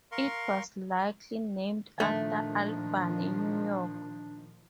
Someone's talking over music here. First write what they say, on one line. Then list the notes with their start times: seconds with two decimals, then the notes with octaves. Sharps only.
It was likely named after Albany, New York.
0.12 A#4 F5 C6 C#6
2.00 A#2 D#3 F3 A3 D4